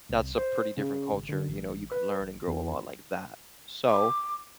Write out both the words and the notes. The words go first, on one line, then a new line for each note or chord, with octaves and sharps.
that's a pretty different culture, you know, you could learn and grow a lot like that. So,
C2
C5
C#3
G#1
D3
A1
B4
A1
E2
D6